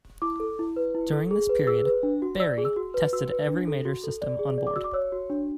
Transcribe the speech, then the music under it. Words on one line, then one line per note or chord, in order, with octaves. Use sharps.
During this period, "Barry" tested every major system on board.
E4 D6
A4
E4
B4
E4
A4
G#4
B4
G#4 E6
B4
D4
F#4
D5 E6
G#4
E6
F#4
B4
F#4 E6
B4
D4
A4
F#4
A4
D5
G#4
D5
D6
F#4 E6
D6
C#5 E6
F#4
D4